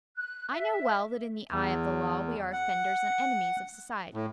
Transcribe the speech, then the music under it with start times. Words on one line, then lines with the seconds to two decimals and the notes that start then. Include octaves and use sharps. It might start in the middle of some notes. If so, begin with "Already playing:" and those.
I know well that in the eye of the law we are offenders and enemies of society.
0.16 F#6
0.52 E5
1.52 E2
2.53 F#5
4.14 A2